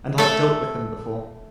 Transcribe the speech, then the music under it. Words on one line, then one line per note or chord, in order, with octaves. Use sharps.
And I have dealt with him before.
A3 A4